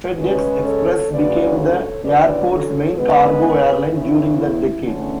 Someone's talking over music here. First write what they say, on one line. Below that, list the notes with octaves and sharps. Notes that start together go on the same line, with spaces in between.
FedEx Express became the airport's main cargo airline during that decade.
C#3 G#3 C#4 G#4 B4
A4 C#5
D2 C#3 F#3 C#4 B4 D5
A4 C#5
E2 D3 F#3 C#4 B4 D5
A4 C#5
C#3 G#3 B3 G#4 B4
E2 C#3 E3 E4
E4
E2 D3 A3 C#4